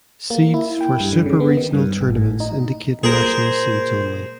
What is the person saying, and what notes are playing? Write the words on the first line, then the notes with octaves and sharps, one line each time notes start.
Seeds for super regional tournaments indicate national seeds only.
A#3
E4
G5
G2
D3
C#3
B3
D#3
G2
G#1
A2
D#4
A#2 G#4 A#4 C5